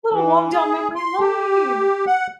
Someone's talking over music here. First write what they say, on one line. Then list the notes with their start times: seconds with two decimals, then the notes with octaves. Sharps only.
Little walk down memory lane.
0.13 E3
0.53 G#4
0.96 C6
1.19 G4
2.07 F#5